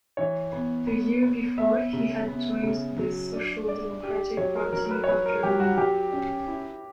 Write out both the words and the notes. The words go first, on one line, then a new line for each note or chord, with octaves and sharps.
The year before, he had joined the Social Democratic Party of Germany.
E3 C#5
B3
B3
B3
B3 E5
C#3
B3
C#3
F#3
D4
D4 D5
G4
F#3 C#5
A#4
F#3 A#4
A#4
B4
C#5
F#3 B4
A#4
F#3 G4
F#4
F#3 G4
C#4
E4